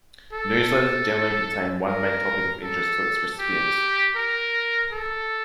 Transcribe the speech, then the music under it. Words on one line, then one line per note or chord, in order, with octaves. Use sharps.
Newsletters generally contain one main topic of interest to its recipients.
A4
A#4
A4
G4
A#4
A4